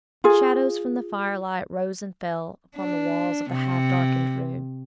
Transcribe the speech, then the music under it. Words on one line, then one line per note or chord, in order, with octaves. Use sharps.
Shadows from the firelight rose and fell upon the walls of the half-darkened room.
F4 G#4
D4
C3